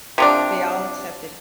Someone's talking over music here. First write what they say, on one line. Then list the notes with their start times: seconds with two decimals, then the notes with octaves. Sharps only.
They all accepted.
0.18 C3 F3 D4